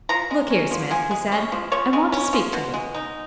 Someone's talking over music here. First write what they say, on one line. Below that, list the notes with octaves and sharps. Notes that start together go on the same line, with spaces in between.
'Look here, Smith,' he said, 'I want to speak to you.
F3 A#5
G#3
C#4
F3
F3 G#5
G#3
C#4
F3
F3 C#5
G#3
C#4
F3
B2
G#3
D#4